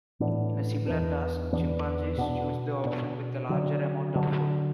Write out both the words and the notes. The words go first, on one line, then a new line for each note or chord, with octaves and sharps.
In a similar task, chimpanzees chose the option with the larger amount of food.
A2 E3 B3 D4
E2 E3 B3 D4
E2 E3 B3 D4
B2 B3 D4
B2 B3 D4
D3 F#3 D4
D3 F#3 D4